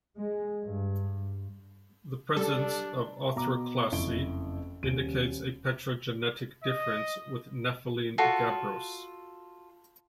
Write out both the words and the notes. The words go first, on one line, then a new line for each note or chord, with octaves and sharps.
The presence of orthoclase indicates a petrogenetic difference with nepheline gabbros.
G#3
G2
G3 D4 A4
B2 A#5 D6
F#1 F2 E4 C#6 D7 G7
D#1 D7 D#7
D#5
F4 F#4 A4